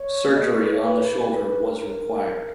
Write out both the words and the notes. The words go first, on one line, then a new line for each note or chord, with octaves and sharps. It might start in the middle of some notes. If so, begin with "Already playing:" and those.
Surgery on the shoulder was required.
Already playing: C#5
C#5
D#5
C#5
B4
C#5
B4
A#4